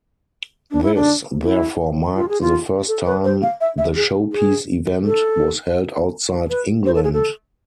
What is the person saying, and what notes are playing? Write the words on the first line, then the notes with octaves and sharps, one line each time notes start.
This therefore marked the first time the showpiece event was held outside England.
D4
E4
D4
E4
F4
G#4
F4
A4
B4
C5
F5
E5
E5
G#4
G#4
A4
B4
C5
A4
G#4
A4